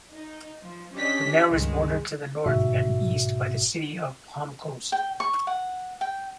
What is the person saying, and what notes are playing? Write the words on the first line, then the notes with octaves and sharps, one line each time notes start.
Bunnell is bordered to the north and east by the city of Palm Coast.
D#4
F3
C#4 D4 G4 D#5 B6
C#2 G2 D#3 G#3
G1 G#2 B2 F#4 E5
G5
C#6
F#5
G5